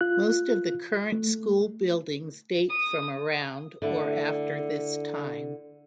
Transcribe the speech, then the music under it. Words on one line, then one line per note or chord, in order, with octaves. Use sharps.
Most of the current school buildings date from around or after this time.
F4 F#6
A3
D#6
D3 A3 E4